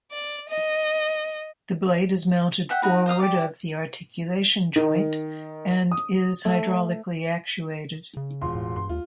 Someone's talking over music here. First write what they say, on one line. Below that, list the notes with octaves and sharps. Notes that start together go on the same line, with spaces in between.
The blade is mounted forward of the articulation joint, and is hydraulically actuated.
D5
D#5
E5 F#5 G5
D#4 F#4 B5
C5 D#5 F5 D#6
G4 D5
D#3
D#6
A3
C#3
E1 F4 C6
A2
G2 C6
D#2 F4